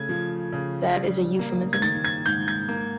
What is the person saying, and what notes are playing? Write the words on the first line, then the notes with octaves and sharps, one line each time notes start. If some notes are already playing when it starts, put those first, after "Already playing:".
That is a euphemism.
Already playing: C#3 A3 G#6
F3
C#3
G3
A#3
G#6
D#3 A6
G#6
G#2 G6
G#6
A#3